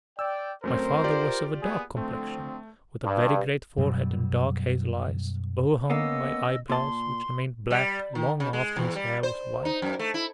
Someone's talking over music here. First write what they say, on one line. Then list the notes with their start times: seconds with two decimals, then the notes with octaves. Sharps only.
My father was of a dark complexion, with a very great forehead and dark hazel eyes, overhung by eyebrows which remained black long after his hair was white.
0.19 D5 G5 E6
0.64 F#2 A3 C4 A#4 C5
1.04 F4 G4 D5
1.61 A#3 B3 G#4
1.97 D3 F3 A3 C4
3.04 G2
3.77 F#2 B2 F#3 G3
5.90 A#3 B3 C#4 D#5 E6
6.70 A#2 A5 C6
7.71 G3
8.15 D#3
8.40 C#3
8.53 G#3
8.77 E2
8.96 G3
9.23 C5
9.65 D#4
9.82 F#2
9.99 A3
10.14 E4